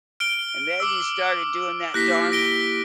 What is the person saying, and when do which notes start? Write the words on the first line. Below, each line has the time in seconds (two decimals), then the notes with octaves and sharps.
"And then, you started doing that darn
0.20 F6 D7 G7
0.80 D6 E6
1.94 A#3 E4 G4 F#6 A#6 B6
2.32 A#6 D7 G7